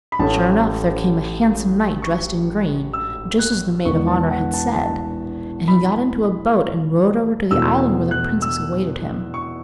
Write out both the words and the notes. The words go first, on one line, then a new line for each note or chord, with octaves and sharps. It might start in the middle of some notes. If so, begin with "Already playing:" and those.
Sure enough there came a handsome knight dressed in green, just as the maid of honour had said, and he got into a boat and rowed over to the island where the princess awaited him.
B5
A1 A2 A3 C#4 A5
C#6
E6
F#6
E1 E2 E3 B3 C#6
A5
F#5
A5
A5
B5
E2 B2 A3 E6
F#6
E6
C#6